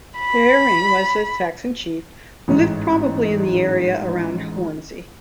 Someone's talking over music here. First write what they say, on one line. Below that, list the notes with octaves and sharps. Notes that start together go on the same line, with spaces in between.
Haering was a Saxon chief who lived probably in the area around Hornsey.
B5
A1 G#2